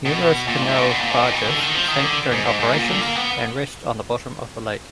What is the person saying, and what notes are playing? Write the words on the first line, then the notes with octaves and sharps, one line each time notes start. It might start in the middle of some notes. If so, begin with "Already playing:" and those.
Numerous canal barges sank during operations and rest on the bottom of the lake.
B2
A#2
G#2
A#2
B2
A#2
G#2
A#2
B2
D3
D#3
F3
D#3
D3
G#2
G#2
G#2
A#2
D3
A#3
B3